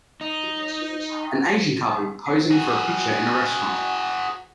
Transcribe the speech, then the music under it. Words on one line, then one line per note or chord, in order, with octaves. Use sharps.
An Asian couple posing for a picture in a restaurant.
D#4
F#4 G#4